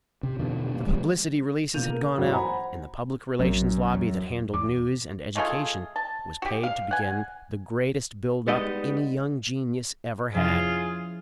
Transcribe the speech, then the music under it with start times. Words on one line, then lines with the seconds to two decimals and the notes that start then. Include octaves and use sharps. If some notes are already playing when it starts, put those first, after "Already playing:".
The publicity releases had gone out, and the Public Relations Lobby that handled news and education was paid to begin the greatest build-up any young genius ever had.
0.23 C3
0.39 E2 B2 D3 D#3
0.72 G2 A#3
0.86 E3 G3 G#3
1.74 E1 A#2 G6 D#7 F7
1.90 A#4
2.18 D#1 G#1 E3 F#3 F#4
2.31 C5 F#5 G#5 A#5 B5
3.39 A#1 F#2
3.94 E2
4.54 E2 D6
5.35 G#3 A3 F4 G#4
5.96 A5
6.42 F#4 G4
6.64 F5
6.91 F#5 G#5
8.48 G3 G#3 B3 D#4 D#5
10.34 F2 C3 F3 C#4 E4 F4 G#4